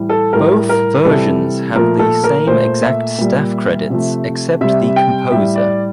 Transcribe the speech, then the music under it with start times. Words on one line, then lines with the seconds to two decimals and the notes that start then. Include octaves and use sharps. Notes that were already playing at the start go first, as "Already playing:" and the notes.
Both versions have the same exact staff credits except the composer.
Already playing: A2 E3 G3
0.09 A4
0.33 A2 G3 A#4
0.69 A#4
1.05 C3 E3 G3 A4
1.75 A#2 F3 A3 A#4
1.99 A4
2.24 A#4
2.47 A#2 A3 C5
2.82 E5
3.19 A#2 G3
3.90 C3 F3 A3
4.61 C3 G3 E5
4.96 G5
5.32 A2 G3 E5
5.56 D5